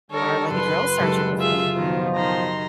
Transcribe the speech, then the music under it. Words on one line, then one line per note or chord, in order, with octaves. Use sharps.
are like a drill sergeant with me."
D3 G3 A4 A#4 C#5
F#1 B4 C6
F#1 G#3 G4 A4 F#6
F4 G#4 E5
B2 D#3 F3
D#3 A#5 C6